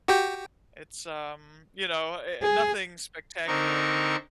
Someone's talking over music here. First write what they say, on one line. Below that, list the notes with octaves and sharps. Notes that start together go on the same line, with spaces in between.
it's, um, you know, uh uh, nothing spectacular,
F#4 G4 G5
G#4
D3 C4 D#4 A#4 C#6